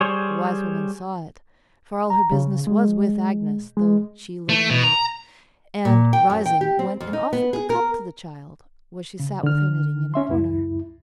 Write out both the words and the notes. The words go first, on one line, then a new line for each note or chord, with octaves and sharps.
The wise woman saw it, for all her business was with Agnes though she little knew it, and, rising, went and offered the cup to the child, where she sat with her knitting in a corner.
G3 G#4 C5 C#5
A#5
C#3
G#3
G#3
A3
B2
A#5
A#2
G5
F#2
G5
G4
C4
F2
D#4
B3
G#4
A#4
C#3
D3 F6
C#4 E5 C6
C#2 F#2 E4